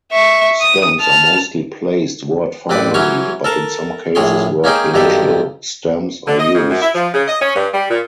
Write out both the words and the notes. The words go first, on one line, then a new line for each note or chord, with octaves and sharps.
Stems are mostly placed word-finally, but in some cases word-initial stems are used.
E5 C#6
D#6
A5 F6
A1 C4 B4 D5
E3 F#3 C#4 C#5 C#6
A4 A#4 A5
A#1 A2 G#4 C#5 C6
A#3 C#4 D#4 G#4 G5
B1 G2 D#3 G4 A4
D3
D#5
F2
F#2
E4
F3
C#3
D#5
C#4
G2
G3
A#2